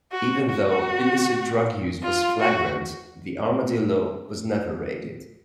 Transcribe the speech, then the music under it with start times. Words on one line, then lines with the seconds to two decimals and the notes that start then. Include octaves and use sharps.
Even though illicit drug use was flagrant, the Armadillo was never raided.
0.12 F#4
0.49 F#4
2.03 F4
2.40 F#4